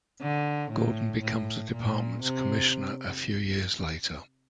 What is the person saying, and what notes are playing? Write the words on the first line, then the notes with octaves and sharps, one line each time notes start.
Gordon becomes the department's commissioner a few years later.
D3
A2
A2
A#2
C3